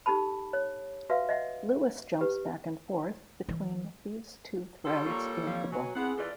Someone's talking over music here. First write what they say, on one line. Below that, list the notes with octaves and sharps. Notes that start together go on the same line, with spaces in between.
Lewis jumps back and forth between these two threads in the book.
D#4 G4 A4 A5 B5
C#5
F#4 B4 E5 F5
D#5 E5 F#5
G4 B4
E3
G3 F#4 A4 C#5 C6
A#3 F4 A#4 C#6
F2 A#2 F3 F5
B2 F#3 G#5
B3 C4 E4 G#4 F#5
E2 E3 F4 A4 D5